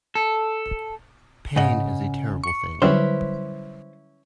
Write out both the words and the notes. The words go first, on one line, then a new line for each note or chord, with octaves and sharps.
Pain is a terrible thing.
A4
G#2 C#3 D#5 F#5
C#6 C#7
D3 F#3 G3 C#4 E4 B4 C5